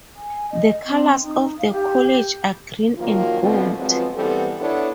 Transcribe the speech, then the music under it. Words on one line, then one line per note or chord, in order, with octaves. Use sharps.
The colours of the college are green and gold.
G#5
D#5
C4
D#4
F5
G4
D#3 F3 F#3 A#3 F4
B2 D3 A3 B3 C4 F4
F3 F#3 G#3 B3 C4 F4
E3 G3 B3 C4 A4
B3 D4 E4 A4 C#5